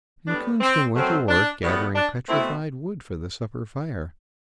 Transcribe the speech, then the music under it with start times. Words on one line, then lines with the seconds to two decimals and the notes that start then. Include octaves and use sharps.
And Coonskin went to work gathering petrified wood for the supper fire.
0.27 A2 G3 B3 D4
0.61 C4
0.94 F#2 F#3 A3 C4
1.28 D4
1.61 A2 E3 G3 B3
1.95 D4
2.29 B2 A3 C4 E4